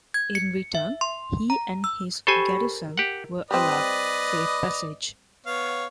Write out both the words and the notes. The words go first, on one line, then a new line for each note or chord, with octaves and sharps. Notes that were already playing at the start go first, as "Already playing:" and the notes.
In return, he and his garrison were allowed safe passage.
G#6
C#7
E5
C6
A#5
E6
G4 A4 C5 G#5 B5 C#6
A#4
G4 F#5
G3 C4 B4 D5 D#5
B3 C#5 F5